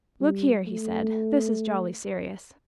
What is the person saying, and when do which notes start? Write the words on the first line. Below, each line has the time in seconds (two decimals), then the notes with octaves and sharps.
'Look here,' he said, 'this is jolly serious.
0.21 G3
0.67 A3